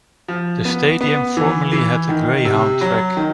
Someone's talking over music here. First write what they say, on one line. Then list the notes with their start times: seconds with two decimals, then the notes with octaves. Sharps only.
The stadium formerly had a greyhound track.
0.28 F3
0.65 B3
1.01 B3
1.37 E3
1.73 E3
2.09 D#3
2.45 C3
2.81 F#3
3.17 D#3